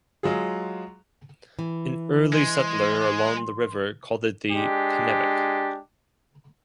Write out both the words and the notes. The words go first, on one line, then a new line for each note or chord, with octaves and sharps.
An early settler along the river called it the Kenebec.
F#3 G#3 F4 G#4
E3
G#3 C6
G#3 D4 G4